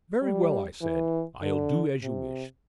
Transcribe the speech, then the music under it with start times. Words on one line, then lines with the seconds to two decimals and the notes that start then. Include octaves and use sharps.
"Very well," I said; "I'll do as you wish."
0.22 G3
0.81 E3
1.42 D3
2.02 C3